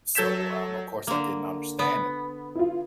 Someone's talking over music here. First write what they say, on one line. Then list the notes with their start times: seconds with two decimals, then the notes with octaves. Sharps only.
So, um, of course I didn't understand it.
0.15 F#3 A4 G6 G#6 B6 E7
1.07 D3 A#3
1.79 B3
2.55 E4 F4